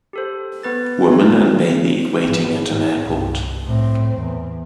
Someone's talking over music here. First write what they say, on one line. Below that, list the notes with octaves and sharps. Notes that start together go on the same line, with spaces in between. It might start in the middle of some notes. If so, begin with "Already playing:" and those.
Woman and baby waiting at an airport.
G4 A4 C5
B3 B4 A6
D#3 D#4 C#5
G#1 B3
G#2
C2 G2
A2 C4
E2